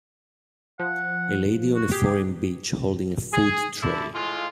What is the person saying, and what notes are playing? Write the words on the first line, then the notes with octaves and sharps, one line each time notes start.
A lady on a foreign beach holding a food tray.
F3 F#5
F#4
G4 G#4
G#4
D3 E4
A2 G#3 F4